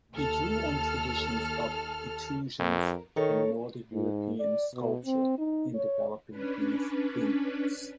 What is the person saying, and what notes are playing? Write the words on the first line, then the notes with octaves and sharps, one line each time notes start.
He drew on traditions of Etruscan and Northern European sculpture in developing these themes.
D#2 A4 F6
F2 A#4
D#3 A4 A#4 C#5
G#2
D5
B2
C4
D#4
C#5
C#4 D4 B4